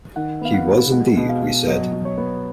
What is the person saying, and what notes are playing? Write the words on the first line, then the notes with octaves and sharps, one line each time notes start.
He was indeed, we said.
D#3 F#5
B3 F5
F#5
B3
G#3 F#5
B2
F5
B2
F#3 D#5
F#3
C#5
B3